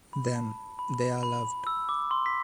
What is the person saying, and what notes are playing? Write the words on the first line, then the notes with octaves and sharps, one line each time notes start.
Them, they are loved.
B5
A5
B5
B5
E6
D6
C6
B6